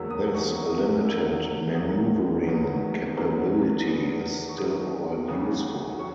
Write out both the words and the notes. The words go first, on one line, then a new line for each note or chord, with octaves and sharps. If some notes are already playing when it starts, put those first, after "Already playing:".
This limited maneuvering capability is still quite useful.
Already playing: E1 E2 D#3 F#3 A#3 E6
D#6
E1 E2 D#3 F#3 A#3 C#6
D#6
E1 E2 D#3 F#3 A#3 E6
E1 E2 D#3 F#3 A#3 D#6
E1 E2 D#3 F#3 B3
E1 E2 D#3 F#3 B3
E1 E2 D#3 F#3 B3
C#6
E1 E2 D#3 F#3 B3 D#6
D#2 C#3 F#3 D#6
F#3 C#6